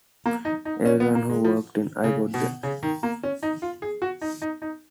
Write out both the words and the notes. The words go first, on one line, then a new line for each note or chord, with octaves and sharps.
Everyone who walked in, I got them.
A#3
D#4
D#4
C#4
B3
A#3
G#3
F3
C#3
B2
C#3
D#3
A#3
C#4
D#4
F4
G#4
F#4
D#4
D#4
D#4